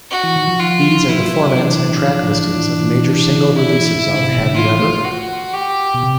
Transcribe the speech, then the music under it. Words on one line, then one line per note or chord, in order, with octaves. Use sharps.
These are the formats and track listings of major single-releases of Have You Ever?
F#4
E3
D#3
F3
F4
F3 E4
F#3
F#3
F#3
E3 D4
F3
E3
F3
E3
D4
E4
E3
E3
D3
C3
B2
D#3
D3
D#3 F4
E3
A3
F#4
G4
B2
C3